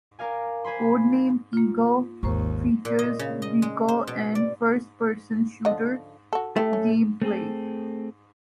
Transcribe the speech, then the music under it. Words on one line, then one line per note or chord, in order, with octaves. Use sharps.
"Codename Eagle" features vehicle and first-person shooter game play.
A#4 D5 F5 G#5
C5 G#5 B5 C6
A#3 F4
G#1 D#2 C5 A#5 C#6
A#2
D#5
C#3
D#5
G#3
C5
B2
D5
D3 F3 D#5
F#4 A4
A3 E4 G4
C#4
A3 C4 G#4 A4